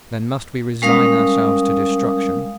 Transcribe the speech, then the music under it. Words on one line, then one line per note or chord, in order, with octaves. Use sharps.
"Then must we resign ourselves to destruction?"
G3 G#3 C#4 A#4 F5 D#6